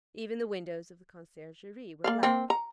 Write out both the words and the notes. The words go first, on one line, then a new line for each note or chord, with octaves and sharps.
Even the windows of the conciergerie were black.
A#3 D5 F5
A#3 C4
A#5